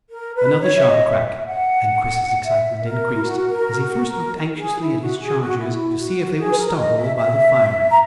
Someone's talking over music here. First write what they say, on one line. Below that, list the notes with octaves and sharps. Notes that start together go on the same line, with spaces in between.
Another sharp crack, and Chris's excitement increased, as he first looked anxiously at his charges to see if they were startled by the firing.
A#4
B4
C#5
E5
D#5
E5
E5
F#5
E5
A#4
E4
F#4
A#4
F#4
A#4
G#4
E4
F#4
G#4
F#4
E4
F#4
G#4
B4
A#4
D#5
E5
E5
A#5